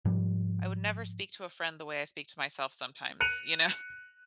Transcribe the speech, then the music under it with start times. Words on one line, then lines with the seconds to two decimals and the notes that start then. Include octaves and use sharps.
I would never speak to a friend the way I speak to myself sometimes. You know?
0.05 G#2 F3 G3
3.20 F#6 C#7 D#7 F7